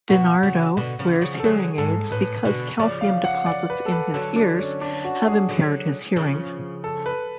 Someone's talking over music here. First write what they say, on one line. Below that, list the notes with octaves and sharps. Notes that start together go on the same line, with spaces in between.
DiNardo wears hearing aids because calcium deposits in his ears have impaired his hearing.
B2 F#4
C#3
B2 D3
C#3 F3
C#3 F3
A4
D3 F#3 G#4
G#2 A4
A2 B4
B2 D3
C#3 F3 D5
F5
F#5
D5
B4
A4
B4
D3 F#3 A4
D4
C#4
D4
F#4
G#4
D3 F#3
C#3 F3
A4
B4